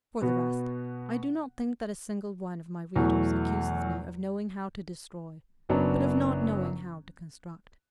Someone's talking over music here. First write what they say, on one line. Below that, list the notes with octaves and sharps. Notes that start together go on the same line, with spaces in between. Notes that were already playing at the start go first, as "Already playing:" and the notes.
For the rest, I do not think that a single one of my readers accuses me of knowing how to destroy, but of not knowing how to construct.
B2 B3 F#4
E2 B2 F#3 A3
F#1 F#2 F#3 B3 D4